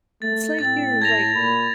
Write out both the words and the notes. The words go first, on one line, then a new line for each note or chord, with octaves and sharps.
It's like you're like
A3 A6
A2 C4 A6
A5 G#6 A#6 F7
A#2 B5